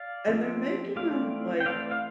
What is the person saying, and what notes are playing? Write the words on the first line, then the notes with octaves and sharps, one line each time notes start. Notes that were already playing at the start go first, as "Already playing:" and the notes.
And they're making them, like
Already playing: D5 F5
F3 C4
E3 A3 C4 D5 F5
G5
E3 A3 C4 D5 F5
F5